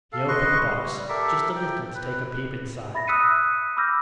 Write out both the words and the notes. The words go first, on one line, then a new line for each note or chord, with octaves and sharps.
She opened the box just a little to take a peep inside.
A4 F5
B4 D#5 C6 C#6
G3
G4 A4 A#4 E5
G5
B4
E5 B5 A6 A#6
D#6 E6 F#6 B6 C#7 D#7
B5 D6 E6 F6 G6 A#6